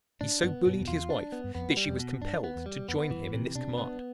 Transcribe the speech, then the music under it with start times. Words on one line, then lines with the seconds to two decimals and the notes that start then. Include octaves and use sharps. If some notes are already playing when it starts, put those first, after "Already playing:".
He so bullied his wife that she was compelled to join him in this command.
0.21 A2 D4
0.43 G2 B3
0.65 G2 B2
0.80 F2
0.88 E2 F4
1.10 D4
1.32 B3
1.44 G2
1.55 F2 B3
1.77 G3
1.88 F2
1.99 B2
2.21 G2 D4
2.44 B3
2.56 E2
2.66 G3
2.88 F2 B3
3.11 G2 E3
3.33 A2 C3
3.55 B2 D4
3.69 B2
3.78 C3 B3